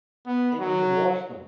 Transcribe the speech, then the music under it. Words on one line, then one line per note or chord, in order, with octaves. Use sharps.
And you can wash them.
B3
F#3